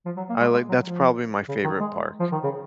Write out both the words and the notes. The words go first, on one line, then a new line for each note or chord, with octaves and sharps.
I like that's probably my favorite park,
F3
F#3
A#3
G#3
G#3
F#3
F3
C#3
D#3
G#3
F3
D#3
C#3